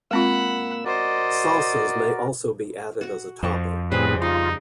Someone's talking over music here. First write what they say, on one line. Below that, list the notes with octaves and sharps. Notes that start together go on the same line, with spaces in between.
Salsas may also be added as a topping.
G#3 A#3 C4 F4 F#5 B5 E6
F#4 A#4 C5 D5 D#5
F#4 F#5
F2 C5 C#6
A2 C#3 G3 C4 G#4 B4 C5
D#4 F4 F5